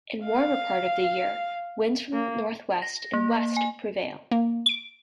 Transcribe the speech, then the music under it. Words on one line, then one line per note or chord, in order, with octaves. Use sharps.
In warmer part of the year, winds from northwest and west prevail.
F5
A#3
A#6
A#3
G#5
A#3
D7